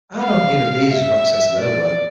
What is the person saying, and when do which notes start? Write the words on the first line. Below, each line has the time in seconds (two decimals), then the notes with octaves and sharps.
I don't need a visa to access their work.
0.22 F5
0.90 E5
1.59 D5